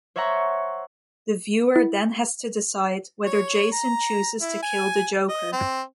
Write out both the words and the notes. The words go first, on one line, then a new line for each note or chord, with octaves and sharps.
The viewer then has to decide whether Jason chooses to kill the Joker.
C5 C#5 E5 F#5 A#5 C#6
E4
C#5
A#5
E4
G#5
D#5
C4